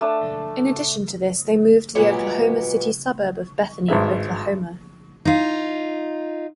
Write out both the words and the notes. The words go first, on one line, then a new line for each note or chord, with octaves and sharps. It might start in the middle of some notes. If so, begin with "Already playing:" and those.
In addition to this they moved to the Oklahoma City suburb of Bethany, Oklahoma.
A3 D4 A5
A#2 F#3 G#3 B3 G4
G#1 G2 G#3 E5
D#4 F4